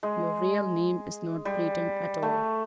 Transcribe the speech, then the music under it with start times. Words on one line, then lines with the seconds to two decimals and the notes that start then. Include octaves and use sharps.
Your real name is not Breton at all.
0.03 G#3
1.45 G3
2.22 A3